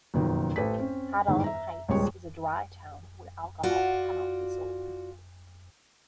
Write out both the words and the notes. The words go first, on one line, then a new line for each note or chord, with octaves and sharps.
Haddon Heights is a dry town where alcohol cannot be sold.
F#1 F2 B2 D#3
A1 A4 B4 C5 B6
C4 C#4
G1 E2 G#2 D#3
E5 A#5
D#1 C#2 G3 G#3 C#5 C#6
F4 F#4 D5